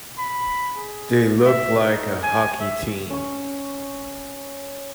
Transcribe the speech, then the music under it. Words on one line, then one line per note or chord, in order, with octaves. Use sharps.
They look like a hockey team.
B5
G#4
E5
D#4
G#5
E5
C#4 C#6